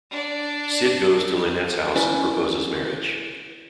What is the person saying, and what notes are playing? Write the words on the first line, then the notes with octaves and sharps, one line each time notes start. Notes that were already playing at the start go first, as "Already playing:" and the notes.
Sid goes to Lynette's house and proposes marriage.
D4 D5
C#4 E4 A#4 B4 D5